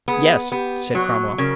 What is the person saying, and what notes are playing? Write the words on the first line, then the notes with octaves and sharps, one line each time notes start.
"Yes," said Cromwell.
B3 G#4
B3 G4
F#3 F#4
C#3 A#4